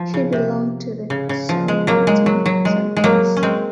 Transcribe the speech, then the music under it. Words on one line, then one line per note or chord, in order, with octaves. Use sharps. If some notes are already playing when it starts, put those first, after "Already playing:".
She belonged to the "Southampton" subclass.
Already playing: F3
C#3
C3
C#3
C#3
F3
G#3
F#3 A#3
G#3
F#3
F#3
G#3
G#3
F#3 A#3
C#4
G#3 C4